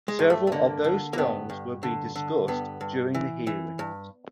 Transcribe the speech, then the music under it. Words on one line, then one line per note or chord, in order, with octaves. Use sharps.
Several of those films would be discussed during the hearings.
G#3
G2
A3
A3
D3 A#3
D3
A#3
G2 B3
G2
D3
D3
G2 B3
G2
E3
E3
G2